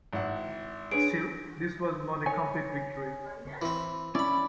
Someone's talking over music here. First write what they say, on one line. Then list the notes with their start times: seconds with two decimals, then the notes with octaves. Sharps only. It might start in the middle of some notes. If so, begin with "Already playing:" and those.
Still, this was not a complete victory.
0.13 G#1 E4 F#5
0.91 D4 G#4 B4 C#5 D7
2.26 C#5 G#5
3.62 E3 C4
4.15 C#4 E4 D5 B5